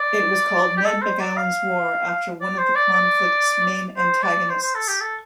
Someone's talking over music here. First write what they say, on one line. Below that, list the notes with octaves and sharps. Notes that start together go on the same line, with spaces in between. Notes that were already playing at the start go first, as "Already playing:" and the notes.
It was called Ned McGowan's War after one of the conflict's main antagonists.
Already playing: D5
G4
A4
C5
D5
F5
D5
C5
D5
D5
C5
D5
C5
C5
A4
G4
A4